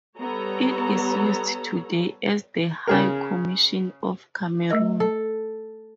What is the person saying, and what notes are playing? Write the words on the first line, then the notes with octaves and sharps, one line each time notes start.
It is used today as the High Commission of Cameroon.
G3 B3 A4 C#5 A#5
C#3 G#4 A#4
A3 A#4 D#5
A4